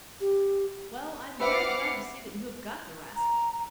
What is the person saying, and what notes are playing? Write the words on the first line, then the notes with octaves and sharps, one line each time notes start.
Well, I'm very glad to see that you have got the rascal.
G4
C4 B4 E5 F#5 D6 F6 C7 C#7
A#5